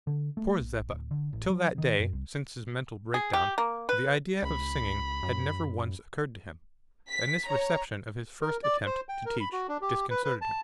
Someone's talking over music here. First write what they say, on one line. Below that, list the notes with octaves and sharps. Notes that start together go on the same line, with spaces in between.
Poor Zeppa! till that day, since his mental break-down, the idea of singing had never once occurred to him, and this reception of his first attempt to teach disconcerted him.
D3
A3
A#1
D1
D3
A1
F#3
D#3
F#2
C2
G#4
G4
A#3
B4
C#2 B5
F#2
B6
C#5 A#5
A#4
D5
C5
G5
A#4
B5
F#4
D4
G4
B4
B4
A5